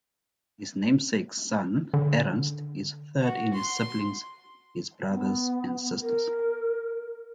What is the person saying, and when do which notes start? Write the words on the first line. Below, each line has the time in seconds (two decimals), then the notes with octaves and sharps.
His namesake son Ernest is third in his siblings his brothers and sisters.
1.94 D3
3.21 F#4
3.54 C6
5.09 B3
6.02 A#4